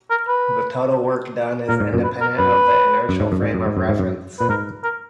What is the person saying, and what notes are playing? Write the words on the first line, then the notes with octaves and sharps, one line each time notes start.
The total work done is independent of the inertial frame of reference.
A#4
B4
A#2 A#4
G#2
F#2 A#2
B4
A#4
F#2 B4
F#2
G#2
F#2
G#2
F#2
G#2
F#2
G#2
F#2
A#2 B4
G#2 A#4
A#4